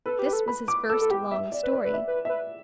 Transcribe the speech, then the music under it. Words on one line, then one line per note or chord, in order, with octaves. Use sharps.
This was his first long story.
A4 B4
G4
B4
A4
B5
D6
A4 E6
A4
G4 G5
E5
D5
B4
D5
B4
E5
B4
B4 E5